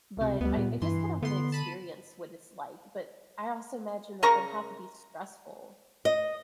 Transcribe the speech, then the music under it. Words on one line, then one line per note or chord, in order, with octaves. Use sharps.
but I I just kinda wanna experience what it's like, but I also imagine that that'd have to be stressful.
C#2 C3
D2 G3 B3
A#2
G2 E3 C6
D3 B3 C6
A5 B5 D#7
C#3 A#4 A#5 C#6
D#5